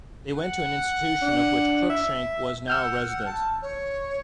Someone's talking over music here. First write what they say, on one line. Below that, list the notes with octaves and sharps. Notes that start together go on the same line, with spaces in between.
They went to an institution of which Crookshank was now a resident.
F#5
D4
E5
F#5 E6 F6 G6
A5
C#5